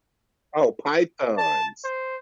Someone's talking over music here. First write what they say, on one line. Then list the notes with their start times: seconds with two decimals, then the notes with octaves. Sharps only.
Oh, pythons.
1.37 A5
1.84 C5